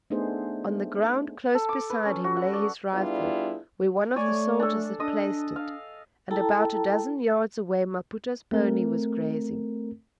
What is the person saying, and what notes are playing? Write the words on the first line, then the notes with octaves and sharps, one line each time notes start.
On the ground close beside him lay his rifle, where one of the soldiers had placed it, and about a dozen yards away Maputa's pony was grazing.
A3 B3 D4 D#4 G#4 C5
A4
D6
B4
C#4
F#4
F#5
D5
G3 B3 D4 E4 F4 G#4
A3 C#5 D5 G#5
D4 A4
D4 D#5 D#6
F5
E4 A4 G5 A5 A#5
A3 C4 A#4